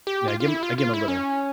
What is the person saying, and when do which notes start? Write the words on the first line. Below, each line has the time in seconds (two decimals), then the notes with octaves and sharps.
Yeah, I give him I give him a little.
0.07 G4
0.28 F4
0.40 F4
0.48 E4
0.63 F4
0.78 F4
0.94 E4
1.08 C#4